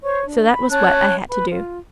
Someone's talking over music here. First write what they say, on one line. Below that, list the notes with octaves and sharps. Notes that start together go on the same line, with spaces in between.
So that was what I had to do.
C5 C#5 C#6
D4
B5
C#4 C#5 A5 F#6
B4 B5
F4